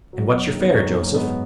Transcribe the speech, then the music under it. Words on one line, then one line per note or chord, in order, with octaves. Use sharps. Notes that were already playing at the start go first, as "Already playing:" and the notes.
"And what's your fare, Joseph?"
F#3
F#2 B3
A#3
D#3
B3
F#2 C#4
B3
F#2
A#3
G#2 B3